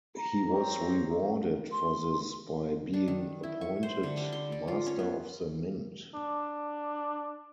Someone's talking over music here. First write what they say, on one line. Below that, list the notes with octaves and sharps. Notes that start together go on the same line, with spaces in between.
He was rewarded for this by being appointed Master of the Mint.
A#5
C4 G4 C#5 A#5
C6
D4
D#3
E4
C#6
C5
D3
G3
C6
D5
F4
C#4
B3
D4